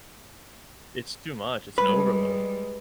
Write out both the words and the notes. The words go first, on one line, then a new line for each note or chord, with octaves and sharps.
It's too much, it's an overload.
G3 G#3 B4